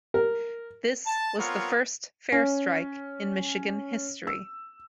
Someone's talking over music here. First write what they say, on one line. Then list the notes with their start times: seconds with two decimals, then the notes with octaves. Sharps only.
This was the first fare strike in Michigan history.
0.14 A#4
1.06 A5
1.38 B3 C4 F4 A#4 C#5
2.32 C#4
4.27 E6